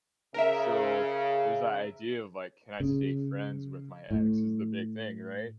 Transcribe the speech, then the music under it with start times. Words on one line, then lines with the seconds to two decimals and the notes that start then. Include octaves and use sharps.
so, there's the idea of, like, can I stay friends with my ex is the big thing, right?
0.34 C#3 A#4 E5
2.80 C#3
4.11 A2